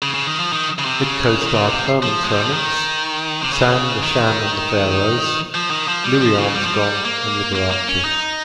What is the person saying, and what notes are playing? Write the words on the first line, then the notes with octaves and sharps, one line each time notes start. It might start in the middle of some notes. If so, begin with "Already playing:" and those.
It co-starred Herman's Hermits, Sam the Sham and the Pharaohs, Louis Armstrong, and Liberace.
C#3
C#3
D#3
F3
D#3
C#3
C3
C#3
D#3
C#3
C3
F3
G#3
G3
F3
D#3
C3
C#3
D#3
F3
D#3
F3
G3
F3
C#3
G3
F3
G3
A#3
A#3
A#3
C#4
D#4